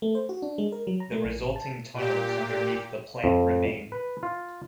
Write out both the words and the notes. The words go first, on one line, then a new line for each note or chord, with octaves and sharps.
The resulting tunnels underneath the plant remain.
A3
C5
F#4
D4
G#3
A#4
F#3
A#5
A3
A#1
A1
A5
A#2 G4
F2
B4
F4